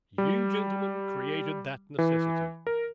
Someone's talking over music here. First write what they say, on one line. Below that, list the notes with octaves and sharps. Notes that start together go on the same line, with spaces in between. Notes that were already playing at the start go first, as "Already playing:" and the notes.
You, gentlemen, created that necessity!
G3
E3
A#4